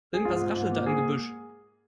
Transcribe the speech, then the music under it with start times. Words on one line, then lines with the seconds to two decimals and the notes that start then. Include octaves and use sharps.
Irgendetwas raschelt da im Gebüsch.
0.14 G#4
0.25 G#2 F4
0.41 G#2
0.56 G#2
0.71 A#3
0.86 G#4